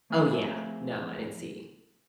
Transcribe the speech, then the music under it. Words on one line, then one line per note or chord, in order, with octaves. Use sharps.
Oh yeah, no, I didn't see
F3 A3 C4 G#4 E5 F5